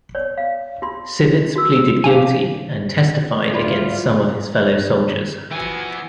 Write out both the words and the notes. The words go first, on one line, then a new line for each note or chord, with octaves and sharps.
Sivits pleaded guilty and testified against some of his fellow soldiers.
C#5 D5
F5
F4 C6
F#4 E6
G4 F5 G#5
D2 G#2 E4 F4 D5 B5
E3 F3 B3 E4 F#4 G#5